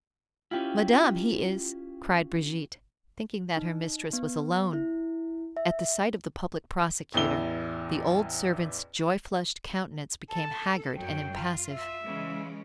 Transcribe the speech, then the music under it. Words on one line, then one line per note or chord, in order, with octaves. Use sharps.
"Madame, he is--" cried Brigitte, thinking that her mistress was alone. At the sight of the public prosecutor, the old servant's joy-flushed countenance became haggard and impassive.
C#4 E4 F4 G4
D#4
B3
E4
E5
A1 E2 E4 G7
A4 A5
F#2 F#3 G5
F4
E5
C#3 E3 G#3